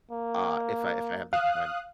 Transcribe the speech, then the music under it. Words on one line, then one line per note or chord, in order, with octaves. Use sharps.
uh, if I if I have the time.
A#3
F5 D#6 F#6